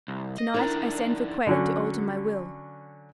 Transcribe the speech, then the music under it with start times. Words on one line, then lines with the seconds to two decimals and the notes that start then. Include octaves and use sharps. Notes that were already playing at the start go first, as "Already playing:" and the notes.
To-night I send for Quaid to alter my will.
0.08 C2
0.38 D#5
0.54 D#3 D4 E4 A#4
1.47 D3 F#3 C#4